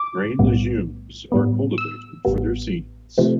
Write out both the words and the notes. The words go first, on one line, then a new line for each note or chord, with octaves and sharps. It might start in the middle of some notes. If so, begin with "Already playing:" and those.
Grain legumes are cultivated for their seeds.
Already playing: D6
B1 A2 G3 B3
A2 G3 B3
E6
A1 A2 G3 B3
C3 F3 A3 C4